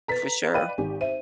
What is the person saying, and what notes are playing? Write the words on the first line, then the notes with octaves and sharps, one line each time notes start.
for sure.
A4 B4 A#5 A6 B6
B4 D5 D#5 F5 G5 D#7
G#1 G4 G#5
C5 E5 D#7